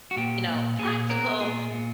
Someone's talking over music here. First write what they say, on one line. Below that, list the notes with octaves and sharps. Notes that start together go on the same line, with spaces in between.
you know, practical,
F#4
A#2 G4
A#2
A#2 G#4
B3 A#4
A#2 G#4
A#2